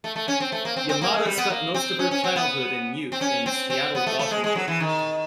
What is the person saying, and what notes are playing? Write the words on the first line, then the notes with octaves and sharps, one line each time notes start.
Yamada spent most of her childhood and youth in Seattle, Washington.
A3
A3
C#4
C4
A3
A#3
C4
C4
A#3
G#3
G3
B3
A#3
C4
C#4
C#4
C4
B3
C4
C#4
C4
C4
B3
A3
A3
G#3
G#3
F#3
E3
D#3